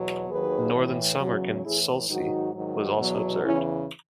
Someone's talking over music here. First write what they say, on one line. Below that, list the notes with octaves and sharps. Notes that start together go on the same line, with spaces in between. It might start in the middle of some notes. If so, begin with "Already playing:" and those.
Northern Samarkand Sulci was also observed.
Already playing: E2 B2 F#3
D#2 D#3 F#3 G#4 B4
A2 E3
E2 C#3 F#3
A2 E3 E4 G#4
G#2 D#3 F#3 D#4 F#4
G#2 D#3 F#3
E2 B2 F#3
E2 C#3 E3 C#4 E4